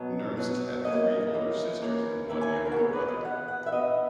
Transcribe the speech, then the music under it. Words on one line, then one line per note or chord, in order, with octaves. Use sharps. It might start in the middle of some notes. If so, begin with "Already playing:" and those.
Nernst had three older sisters and one younger brother.
Already playing: B2 F#3 B3 D#5
B2 F#3 B3
E3 A#3 C#4 D#5
D#5
E3 A#3 C#4
E3 A#3 C#4
E3 A#3 C#4 E5
G#5
A#4
F#4
E3 B3 G#4
B4
D#5
E3 B3 F#5
F#5
E5
E3 B3 D#5